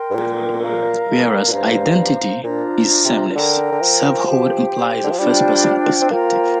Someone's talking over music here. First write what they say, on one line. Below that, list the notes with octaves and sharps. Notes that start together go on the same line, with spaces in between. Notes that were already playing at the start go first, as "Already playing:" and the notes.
Whereas "identity" is sameness, self-hood implies a first-person perspective.
Already playing: A#4 G5 C6
G2
A#2
A#4 F5 A#5
A#2
G2 C5 F5 A#5
A#2 D4 F4 C5 A#5
C3
D3 A#4 G5 A#5
D3
F3
G4 C5 G5
D3
F3
G3 D4 F4 C5 G5
C4
A#3 F4 C5 G5 A#5